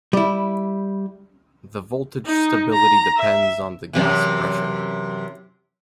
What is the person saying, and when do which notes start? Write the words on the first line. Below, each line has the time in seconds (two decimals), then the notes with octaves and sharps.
The voltage stability depends on the gas pressure.
0.13 G3 E4
2.26 D#4
2.73 A#5
3.17 E5
3.93 F#2 C3 E3